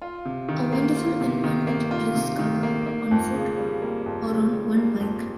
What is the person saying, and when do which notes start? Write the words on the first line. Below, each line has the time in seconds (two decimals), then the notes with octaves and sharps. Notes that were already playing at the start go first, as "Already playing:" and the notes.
A wonderful environment to discover on foot or on one bike.
0.02 F4
0.25 C3
0.49 D#3
0.72 A#3
0.97 F4
1.21 C3
1.44 D#3
1.67 A#3
1.91 F4
2.15 C3
2.39 D#3
2.63 A#3
2.86 A#3
3.11 F2
3.34 C#3
3.58 G3
3.82 A#3
4.06 F2
4.29 C#3
4.53 G3
4.77 A#3
5.00 F2